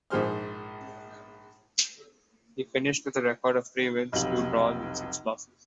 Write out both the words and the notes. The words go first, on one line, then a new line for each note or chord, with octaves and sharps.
He finished with a record of three wins, two draws, and six losses.
A#1 G#2 F3 G#4 C5 F6
F1 B1 C3 F#3 F5 F#7